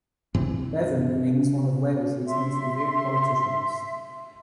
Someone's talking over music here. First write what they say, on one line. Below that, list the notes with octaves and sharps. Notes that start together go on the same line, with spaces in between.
Bevan remains one of Wales' most revered politicians.
G2 C3 E3 C4
E5 C6